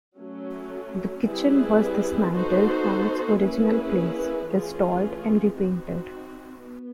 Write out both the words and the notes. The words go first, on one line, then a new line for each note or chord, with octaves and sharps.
The kitchen was dismantled from its original place, restored and repainted.
F#3 A3 C#4
G3 C4 E4 G#4 B4
B3 D#4 F#4 A4 C5
A#3 C#4 E4 G#4 B4
E3 A3 C#4 F4 G#4
C4 D#4 F#4
B3